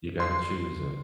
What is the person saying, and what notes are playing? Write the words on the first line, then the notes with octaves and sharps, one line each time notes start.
You gotta choose it.
C6